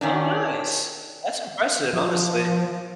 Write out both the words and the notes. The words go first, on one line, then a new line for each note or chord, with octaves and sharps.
Oh, nice. That's impressive, honestly.
D#3 C#4 D4
F3